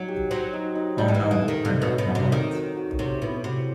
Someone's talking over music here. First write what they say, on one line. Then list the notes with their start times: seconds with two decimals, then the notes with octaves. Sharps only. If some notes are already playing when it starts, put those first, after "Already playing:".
Oh No! I dropped my wallet!
Already playing: F#3 D#4 D#5
0.08 G4
0.30 F#3 C5
0.53 D#4
0.75 D#4
0.98 G3 D#5
1.08 F#3
1.15 E3
1.20 D#5
1.31 E3
1.42 A4
1.48 D#3
1.65 C3 A3
1.82 B2
1.87 F#3
1.98 B2
2.09 F#4
2.15 C3
2.32 D#3 D#4
2.54 F#3
2.77 F#4
2.99 C3 F#3
3.22 B2 E4
3.44 C3 F#3